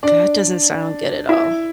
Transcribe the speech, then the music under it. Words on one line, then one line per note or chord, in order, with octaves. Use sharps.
That doesn't sound good at all.
D4 D5
E4 E5